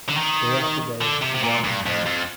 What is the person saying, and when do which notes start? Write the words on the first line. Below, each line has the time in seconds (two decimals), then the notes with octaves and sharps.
Day after day the drought continued.
0.09 D3
0.17 D#3
1.01 D3
1.22 C3
1.35 C3
1.43 A#2
1.64 G2
1.86 F2
2.06 F2